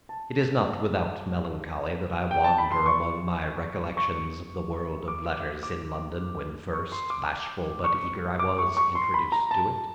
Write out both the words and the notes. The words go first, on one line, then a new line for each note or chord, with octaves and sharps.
It is not without melancholy that I wander among my recollections of the world of letters in London when first, bashful but eager, I was introduced to it.
A5
G5
A5
B5
C6
C#6
C#6
D6
D6
C#6
C6
D6
C#6
D6
C#6
C#6
C6
B5
A#5
A5